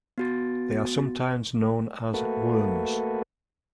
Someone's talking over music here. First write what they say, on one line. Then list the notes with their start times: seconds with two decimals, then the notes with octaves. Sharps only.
They are sometimes known as "worms".
0.18 B3 F#4 A6
2.14 A3 A#3 F#4 A4 B4